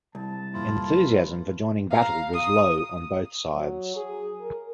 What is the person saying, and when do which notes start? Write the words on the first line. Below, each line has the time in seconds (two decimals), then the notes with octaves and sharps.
Enthusiasm for joining battle was low on both sides.
0.15 C2 A5
0.54 F2 A#2 E3 E4 F4
0.84 A#3 B4
1.90 F5 A#5
2.33 D#6
3.53 F#3
3.96 G#4
4.40 A#4